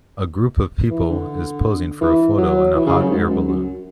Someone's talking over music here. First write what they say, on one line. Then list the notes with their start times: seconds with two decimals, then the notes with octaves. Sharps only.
A group of people is posing for a photo in a hot air balloon.
0.90 E3
1.09 D3
2.01 E3
2.38 F#3
2.75 E3
2.86 C#3
2.99 F#2
3.11 G#2
3.30 F#2
3.48 F#2